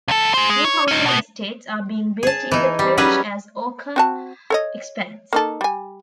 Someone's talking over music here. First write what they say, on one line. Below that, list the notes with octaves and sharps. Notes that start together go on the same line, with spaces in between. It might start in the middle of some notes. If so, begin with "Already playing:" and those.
New housing estates are being built in the parish as Oakham expands.
C#2 A4
G#4 C5
G#3
C#5
C#4 D#4
B2 B3
G#4 A5
E3 D#4
G3
F#3 G3 C#4 G#4 B4 D#5
C4 F#4 A5
A4 C#5 D#5
A#3 D#4 A4
G3 G#5